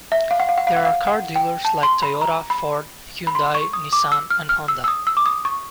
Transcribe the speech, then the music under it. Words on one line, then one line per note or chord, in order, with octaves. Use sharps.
There are car dealers like Toyota, Ford, Hyundai, Nissan, and Honda.
E5
F5
F#5
F5
F#5
F5
F#5
F5
F#5
G5
A5
C6
B5
A#5
B5
B5
C6
C#6
D#6
D6
E6
F6
F6
E6
E6
D#6
E6
D6
D#6
C#6